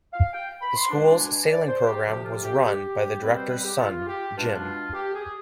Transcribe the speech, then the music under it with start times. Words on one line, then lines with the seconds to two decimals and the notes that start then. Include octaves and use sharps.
The school's sailing program was run by the directors' son, Jim.
0.13 F5
0.32 G5
0.61 B5
0.75 C6
0.90 B2 G#3 D4
1.18 G#5
1.48 D5
1.67 C5
1.86 G4
2.05 D2 C3 F3 G4
2.24 F4
2.44 G4
2.63 G4
3.21 B2 G3 C4 B4
3.35 C5
3.50 B4
3.64 G4
3.78 F4
4.07 G4
4.36 B2 G#3 D4 F4
4.93 G4
5.13 G#4